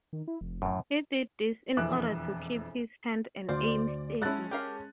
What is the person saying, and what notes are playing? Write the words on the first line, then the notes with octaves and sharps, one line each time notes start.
He did this in order to keep his hand and aim steady.
D#3
E4
F1
F#2 A2
E1 F2 E3 E5 D6 F#6
D2 C5 D5 F5
G#3 C#4 E4 F#5 A5 F#6 A6
G4 A#4 F5